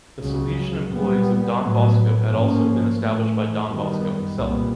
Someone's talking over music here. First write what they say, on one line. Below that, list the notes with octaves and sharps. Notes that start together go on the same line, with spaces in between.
The Salesian employees of Don Bosco had also been established by Don Bosco himself.
C#2 C#3 F#3
A#2 G3 B3
A2 F#3 B3
G#2 F3 A#3 C#4
A2 E3 A3
F#2 D#3 G3 B3
C2 A#2 G3 B3